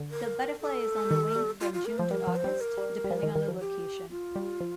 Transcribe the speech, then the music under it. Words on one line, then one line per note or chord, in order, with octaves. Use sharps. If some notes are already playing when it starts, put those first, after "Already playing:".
The butterfly is on the wing from June to August, depending on the location.
Already playing: D3
A#4
A4
D#3
G3
F4
F4
A#4
F3 C5
G3 A#4
F3
C5
G3
A#4
G3
G3
F3
D#3
D#3
F3
G4
F4
G3
F3